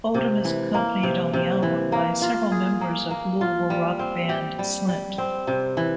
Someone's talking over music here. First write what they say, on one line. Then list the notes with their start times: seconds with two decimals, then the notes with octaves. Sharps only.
Oldham is accompanied on the album by several members of Louisville rock band Slint.
0.14 C3
0.45 E3
0.74 A#3
1.03 C3
1.33 C3
1.63 E3
1.92 A#3
2.22 F4
2.51 G#4
2.81 A#3
3.11 A#3
3.41 F4
3.70 G3
3.99 C4
4.29 G4
4.59 G3
4.88 G3
5.18 C4
5.47 C3
5.77 E3